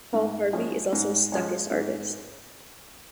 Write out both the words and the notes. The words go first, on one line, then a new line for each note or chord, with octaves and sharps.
Paul Harvey is also a Stuckist artist.
G#2
F3 G#3 C#4
G#2
F3 G#3 C#4
G#2